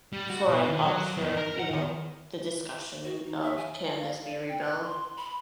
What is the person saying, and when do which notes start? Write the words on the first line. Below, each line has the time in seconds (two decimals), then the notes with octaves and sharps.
before I'm up for, you know, the discussion of "can this be rebuilt."
0.13 G3
0.30 F#4
0.48 B2
0.70 D#3
0.84 F#3
1.17 E2
1.37 A#4
1.59 F#5
1.71 D#3
3.04 F#4
3.26 D#4
3.43 E5
3.57 G#5
3.99 F5
4.25 D5
4.49 G5
4.61 F#6
4.83 C6
5.17 B5